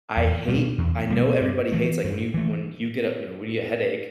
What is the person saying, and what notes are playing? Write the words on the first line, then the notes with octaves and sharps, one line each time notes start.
I hate I know everybody hates like when you when you get up, you know, when you get a headache,
E2
B2 G3 A#3
E2
B2 G3 A#3
G2
E3 A3
G2
E3 A3